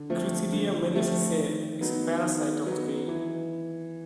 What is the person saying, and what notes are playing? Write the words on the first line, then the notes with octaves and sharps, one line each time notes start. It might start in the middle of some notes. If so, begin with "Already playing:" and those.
"Crithidia mellificae", is a parasite of the bee.
Already playing: D3
F3 A3 C4
D3
F3 A3 C4
D#3
F#3 B3 D#4
D#3
F#3 B3 D#4
E3